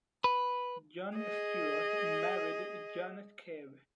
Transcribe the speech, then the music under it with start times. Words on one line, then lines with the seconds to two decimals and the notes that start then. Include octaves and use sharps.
John Stewart married Jonet Ker.
0.24 B4
1.17 G#4 D#5